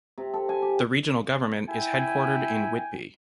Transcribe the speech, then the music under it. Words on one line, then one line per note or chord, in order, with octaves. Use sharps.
The regional government is headquartered in Whitby.
C3
A4
G#5
G4
E4 G5 G#5